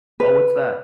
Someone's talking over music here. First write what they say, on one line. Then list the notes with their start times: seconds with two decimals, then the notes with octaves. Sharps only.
Oh, what's that?
0.20 B4